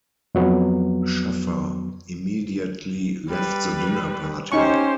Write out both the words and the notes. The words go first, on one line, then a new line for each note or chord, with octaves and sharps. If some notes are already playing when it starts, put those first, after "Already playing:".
Schaffer immediately left the dinner party.
F2 F#3 B3
G3 B4
C#4 D#4 G4 C5 C#6